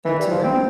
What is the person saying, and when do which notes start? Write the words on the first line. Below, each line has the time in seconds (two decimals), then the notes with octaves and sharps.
That's right.
0.05 E3
0.19 G3
0.31 F3
0.43 C4